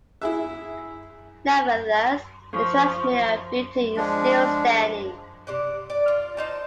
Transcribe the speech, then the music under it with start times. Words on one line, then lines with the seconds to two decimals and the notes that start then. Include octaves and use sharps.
Nevertheless, the transmitter building is still standing.
0.22 E4 G#4 E5
2.53 F3 C#6
3.97 F3 G#3 D4
5.47 C3 D5 F#5
5.90 D5
6.08 F4
6.37 C4 D#4 A5